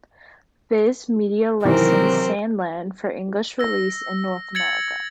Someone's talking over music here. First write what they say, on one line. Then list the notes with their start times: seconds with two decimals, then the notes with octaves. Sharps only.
Viz Media licensed "Sand Land" for English release in North America.
1.65 C3 D#3 E3 F#3 C4 A#4
3.59 E6 A#6
4.55 G#6 A6 C#7 F#7